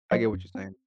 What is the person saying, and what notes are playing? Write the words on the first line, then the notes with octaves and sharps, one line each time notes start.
I get what you're saying.
F#3 C5 D#5
F#2
C4